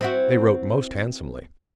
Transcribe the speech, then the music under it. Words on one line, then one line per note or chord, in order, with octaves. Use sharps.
They wrote most handsomely.
C4 E4 F#4